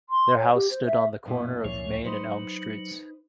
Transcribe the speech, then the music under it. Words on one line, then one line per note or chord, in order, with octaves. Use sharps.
Their house stood on the corner of Main and Elm Streets.
C6
C#5
G4
C5
E5
F#2 A#2 E4
C#2 F3 C#5
F#3 D#4 B4 C5